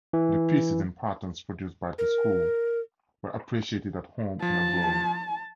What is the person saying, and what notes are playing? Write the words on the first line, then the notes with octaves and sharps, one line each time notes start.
The pieces and patterns produced by the school were appreciated at home and abroad.
E3
A#4
F3 A5